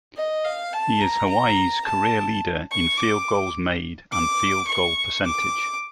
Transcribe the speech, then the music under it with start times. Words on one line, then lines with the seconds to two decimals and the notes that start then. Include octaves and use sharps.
He is Hawaii's career leader in field goals made and field goal percentage.
0.17 D#5
0.45 F5
0.73 A5
1.01 A#5
1.30 A#5
1.85 A5
2.71 C#6
2.98 D6
4.12 D6
4.67 C#6
5.25 D6